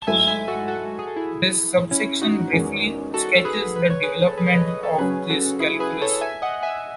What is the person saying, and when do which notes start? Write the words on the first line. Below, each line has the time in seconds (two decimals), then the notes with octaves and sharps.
This subsection briefly sketches the development of this calculus.
0.02 A5
0.07 G#2 F#3 A3 E4 E5 G#5
0.28 E5 G#5
0.48 F#4 A4
0.68 F#4 A4
0.99 G#4
1.08 A4
1.16 E4 G#4
1.91 C#4 E4
2.22 D#4 F#4
2.53 E2 D#3 G#3 C#4
3.14 F#4 A4
3.45 G#4 B4
3.76 B4
3.90 C#5
4.03 G#4 B4
4.27 A4
4.38 G#4 B4
4.46 C#5
4.52 B4 D#5
4.67 B4 D#5
4.83 A4 C#5
4.98 C#3 F#3 C#4 G#4 B4
5.29 F#4 A4
5.60 E4 G#4
5.80 G#4 B4
6.02 A4 C#5
6.21 E5 G#5
6.42 D#5 F#5
6.63 E5 G#5